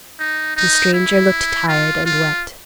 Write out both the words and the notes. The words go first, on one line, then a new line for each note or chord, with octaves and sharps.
The stranger looked tired and wet.
D#4
D#4
E4
F4
F4